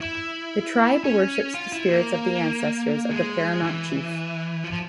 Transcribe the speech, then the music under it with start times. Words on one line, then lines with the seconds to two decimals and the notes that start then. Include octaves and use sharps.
The tribe worships the spirits of the ancestors of the paramount chief.
0.01 E4
1.04 C#4
1.54 F4
1.73 E4
1.89 A#3
3.10 G#3
3.62 E3
4.64 F3